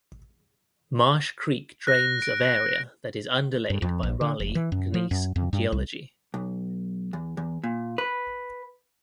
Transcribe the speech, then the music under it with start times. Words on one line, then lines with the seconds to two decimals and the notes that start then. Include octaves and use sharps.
Marsh Creek drains of area that is underlaid by Raleigh Gneiss geology.
1.87 F#6 A#6
2.22 D7
3.70 G2
3.82 F2
4.03 A#1
4.21 D3
4.40 F1
4.55 E3
4.72 F#2
4.94 F3
5.11 F#2
5.36 F2
5.53 G2
5.72 C2
6.34 B1
7.13 E2
7.37 E2
7.64 A#2
7.98 B4